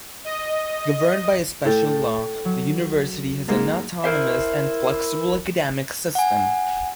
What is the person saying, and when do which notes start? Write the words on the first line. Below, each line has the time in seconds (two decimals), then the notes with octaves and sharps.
Governed by a special law, the university has an autonomous and flexible academic system.
0.25 D#5
1.65 A2 A4 G5
2.45 F#3
3.48 G#2 G#3 A#3
4.04 E4 A#4 C5 E5
6.15 F#5 G#5